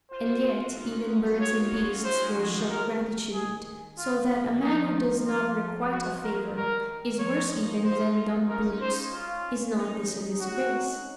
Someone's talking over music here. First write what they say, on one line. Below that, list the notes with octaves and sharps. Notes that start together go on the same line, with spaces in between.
And yet even birds and beasts will show gratitude; so that a man who does not requite a favour is worse even than dumb brutes. Is not this a disgrace?
F4 C5
F#4
F4
F#4
F4
D#4
C#4
D#4
F4
D#4 C#5
F#4
F4
D#4 C#5
C#4
G#3 C5
F#3
F3
D#3
D#3 A#4
G#4
F4
D#3
F3 D#4
F4
F3
F#3 F#4
F#3
F#3 A#4
F3
D#3 A#4
F3 C#5
D#4
D#4 C5
F4
D#4
C#4 A#4
D#4
C#4
C5
F4
D#4
F#4